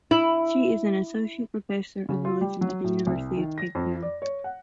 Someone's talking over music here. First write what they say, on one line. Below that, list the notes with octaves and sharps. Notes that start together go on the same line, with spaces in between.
She is an associate professor of religion at the University of Cape Town.
E4
C#3
F4
G3
F#3
A2
C2
D#3
A#6
F2
D5
C#5
F#5